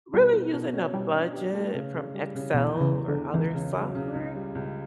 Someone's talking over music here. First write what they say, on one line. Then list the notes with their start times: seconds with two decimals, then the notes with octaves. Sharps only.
really using a budget from Excel or other software,
0.14 B2 G3
0.33 B2
0.53 B2
0.73 C#4
0.94 B2 G3
1.14 D4
1.33 G4
1.53 A3
1.74 C#3
1.95 C#3
2.14 G3
2.35 C#3
2.54 E2 B2
2.75 E2
2.81 C#3
2.94 E2
3.08 D3
3.14 E2
3.34 C#2 E3
3.54 C#3
3.75 F#3
3.95 C#3
4.15 C#2
4.35 G3
4.55 C#2